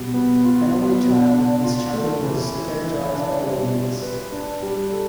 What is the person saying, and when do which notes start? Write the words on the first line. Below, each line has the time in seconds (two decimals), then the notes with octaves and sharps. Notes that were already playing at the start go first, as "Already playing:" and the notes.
An only child, his childhood was characterised by loneliness.
Already playing: B2 G3
0.14 B3
0.44 F4
0.73 B3
1.04 B2
1.33 D4
1.64 F4
1.93 A3
2.23 E3
2.53 E4
2.84 E3
3.13 D4
3.43 G3
3.73 F4
4.03 B4
4.32 D4
4.63 G3
4.93 A4